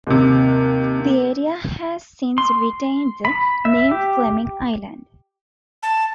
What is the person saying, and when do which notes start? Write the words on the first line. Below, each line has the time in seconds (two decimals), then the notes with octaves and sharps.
The area has since retained the name Fleming Island.
0.07 D#2 C3
2.38 C6
3.25 B5
3.65 E5
3.91 G4
5.83 A5